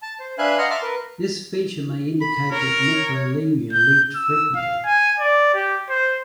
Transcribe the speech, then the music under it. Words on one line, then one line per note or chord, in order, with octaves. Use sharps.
This feature may indicate that "Necrolemur" leaped frequently.
A5
C5
D4 B4 E5 F5 G#5 F#6
D#5 F5 F#5 A#5 C6
E5 A5 C6 D6 F6
A#4 B4
B5
A#4 C#5
G6
E6
F5
G#5
D5
G4
C5